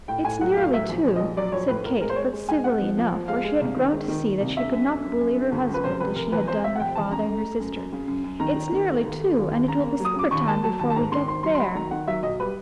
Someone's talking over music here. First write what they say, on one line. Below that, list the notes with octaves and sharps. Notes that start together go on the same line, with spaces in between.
"It's nearly two," said Kate, but civilly enough, for she had grown to see that she could not bully her husband, as she had done her father and her sister; "it's nearly two, and it will be supper-time before we get there."
A2 G5
A2 G#5
F#3 F#5
A2 F5
F#3 E5
A#1
A#1
A#1 D#5
F#3 D5
A#1 C#5
A2 B4
A2 A#4
G#3 A#4
C5
G#3 C#5
G#3
G#3 G#5
C3 F#5
F3
F3
F3
G#3 F5
G#3
C2
D#3
G#3
D#3
D#3
C2
D3 E5
F#2
D3
F#2
F#2
D3
G1
F#2
B4
F1 C5
F1 B4
F1 A#4
E2 B4
C3 C5
C3 E5
F#5
F1 G5
E2 A5
C#3 A#5
A3
A3
F#2
F#2
C#3
F#2
F#2
D#3 A#5
D#3
D#3
A3
D#2
A3
D#2
D#2
C#3 A#5
A#3
F#3 D#6
C#3 D6
D#2 C#6
A#3 A5
F#3 A5
D#2 A5
A5
G#2 A#5
D#3 C6
G#1 C6
F#3 C6
C6
F#3 B5
D#3 A#5
D#3 F#5
F#3 E5
B1 D#5
G3 B4